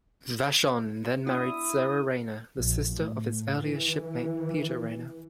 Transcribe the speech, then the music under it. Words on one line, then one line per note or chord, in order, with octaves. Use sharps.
Vashon then married Sarah Rainier, the sister of his earlier shipmate Peter Rainier.
B3 D4 E4 F#4 D#6
A#1
A2
E3